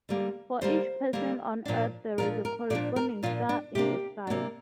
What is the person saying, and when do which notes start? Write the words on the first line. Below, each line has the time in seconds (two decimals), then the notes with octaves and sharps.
For each person on earth there is a corresponding star in the sky.
0.09 D3 G3 A#3
0.61 D3 G3 A#3 C5
1.13 D3 G3 A#3
1.65 A#2 F3 D4
2.18 A#2 F3 D4 A#4
2.45 A#4
2.70 A#2 F3 D4 D5
2.96 A#4
3.23 A#2 F3 D4 F4
3.49 D4
3.75 C3 A#3 D4 G4
4.27 C3 A#3 D4